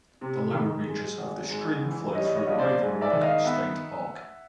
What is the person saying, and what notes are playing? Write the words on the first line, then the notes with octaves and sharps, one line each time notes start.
The lower reaches of this stream flow through Raven Rock State Park.
C3
D#3
G#3
G#1
G#2
E3
G3 C#5 D#5
C#5 D#5
A#1
C5 D5
G#2
D5 E5
D#3
D#5 F5
B3 E5 F#5